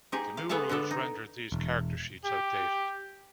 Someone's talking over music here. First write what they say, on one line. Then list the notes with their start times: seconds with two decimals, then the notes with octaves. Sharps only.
The new rules rendered these character sheets outdated.
0.12 D#4 G4 G#4
0.37 F5
0.49 B3 G#4 A4 C#5 F5 A5
0.69 D3 B3 D4 A4
0.91 D#4
1.52 E1
2.26 G4